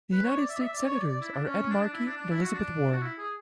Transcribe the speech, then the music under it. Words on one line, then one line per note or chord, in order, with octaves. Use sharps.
The United States Senators are Ed Markey and Elizabeth Warren.
B4
C#5
D5
E5
D5
E5
D5
C#5
D5
D5
E4
D4
C#4
C#4
D4
D4
E4
D4
D4
E4
F#4
D4
F#4
E4
G#4